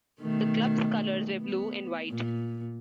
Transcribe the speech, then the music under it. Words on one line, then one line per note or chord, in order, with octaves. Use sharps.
The club's colors were blue and white.
B2 D#3 A3
B3
A#2